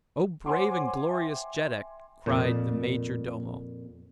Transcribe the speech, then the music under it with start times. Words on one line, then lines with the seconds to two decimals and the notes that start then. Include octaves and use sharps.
"O brave and glorious jeddak!" cried the major-domo.
0.46 C5 C#5 F#5 G#5 C6 D6
1.11 E5 G5
2.26 F2 A#2